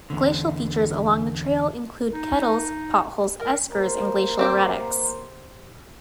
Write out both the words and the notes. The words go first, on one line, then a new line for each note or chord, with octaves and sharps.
Glacial features along the trail include kettles, potholes, eskers, and glacial erratics.
E2 D3
D#4
A#4
A#3 A#4 C5
C4 G4 G5